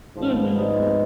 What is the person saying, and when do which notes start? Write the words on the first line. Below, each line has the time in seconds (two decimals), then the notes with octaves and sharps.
Mhm. M
0.17 G#1 G#2 F3
0.36 B3
0.56 D#4
0.76 G#3